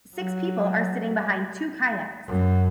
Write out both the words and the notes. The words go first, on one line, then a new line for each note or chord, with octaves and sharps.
Six people are sitting behind two kayaks.
F#3
F#2